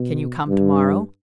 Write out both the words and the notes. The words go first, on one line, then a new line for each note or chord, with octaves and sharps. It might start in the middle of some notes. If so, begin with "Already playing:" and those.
"Can you come to-morrow?"
Already playing: B2
G2